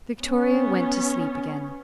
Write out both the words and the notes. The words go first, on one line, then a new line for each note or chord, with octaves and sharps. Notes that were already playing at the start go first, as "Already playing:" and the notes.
Victoria went to sleep again.
B3 C#4